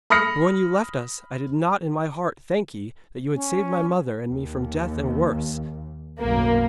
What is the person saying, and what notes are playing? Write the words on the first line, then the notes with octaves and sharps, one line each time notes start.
'For when you left us I did not in my heart thank ye that you had saved my mother and me from death and worse.
B5 D#6 F6 A#6 C#7
C#4
D#2
B1 F#2 A2 A#3